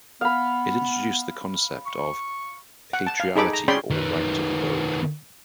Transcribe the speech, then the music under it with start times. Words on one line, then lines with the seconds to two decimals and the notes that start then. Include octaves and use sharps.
It introduced the concept of "patriality or right of abode".
0.21 B3 F5 B5
1.86 C#6
2.93 F#5
3.07 A5
3.20 F5
3.36 D#4 G#4 A4 B5 D6
3.53 A#5
3.68 C#4 G#4 D5 G5 B5 C6
3.90 D#3 B3